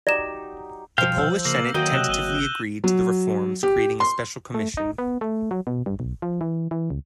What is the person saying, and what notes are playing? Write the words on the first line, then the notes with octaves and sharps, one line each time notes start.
The Polish Senate tentatively agreed to the reforms, creating a special commission.
F#3 D#4 G4 D5 A#6 E7
B2 F3 C5 F5 G5
E6 G6
C#3 A#3 A#6 F#7
E2 D#3 F#3 A#3 D#5 G5 G6 D#7
C3 F#6 E7 G7
G#1 E6 D#7 G7
F#3
G4
C6
A3
D#4
B3
A3
F#3
B2
G2
B1
F3
E3
E3
C#2